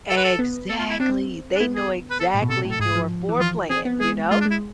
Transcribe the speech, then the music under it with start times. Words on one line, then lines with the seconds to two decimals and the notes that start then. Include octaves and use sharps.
Exactly, they know exactly your floor plan, you know?
0.10 A4
0.17 B4
0.24 A4
0.39 B3
0.69 A4
0.79 F4
0.90 E4
1.00 C4 D4
1.55 D4
1.60 B3 E4
1.75 G#4
2.10 B4
2.20 A4
2.35 A2
2.42 B2
2.50 C3 A4
2.65 A2
2.71 A4
2.79 G#2 G#4
2.95 F3
3.29 E3
3.40 F3 F4
3.70 C4 G#4
3.85 B3
4.00 G#3 G#4
4.31 G#3 F4
4.40 D4
4.46 G#3
4.51 E4